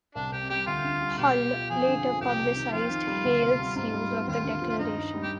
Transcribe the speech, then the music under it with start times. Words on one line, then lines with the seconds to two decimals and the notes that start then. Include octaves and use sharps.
Hull later publicized Hale's use of the declaration.
0.15 C2 D4
0.32 C3 G4
0.50 G3 G4
0.67 D2 F4
0.84 D3
1.01 G3
1.18 B2 G4
1.35 B3
1.53 F4
1.70 F2 G#4
1.87 D3
2.04 F3
2.22 C2 G4
2.39 C3
2.56 D#3
2.72 F2 F4
2.90 D#3
3.07 G3
3.24 D2
3.42 C3
3.59 G3
3.76 G#2 F4
3.94 G3
4.11 B3
4.27 D#2 F4
4.45 D3
4.62 F3
4.70 F4
4.79 G2 D#4
4.96 D#3
5.14 G3
5.23 G4